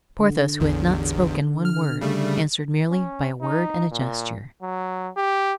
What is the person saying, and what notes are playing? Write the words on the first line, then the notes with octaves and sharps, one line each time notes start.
Porthos, who had not spoken one word, answered merely by a word and a gesture.
D3
A1 E2
F6
C#3 G3 A3
C#4
D#4
A#2
F#3
G4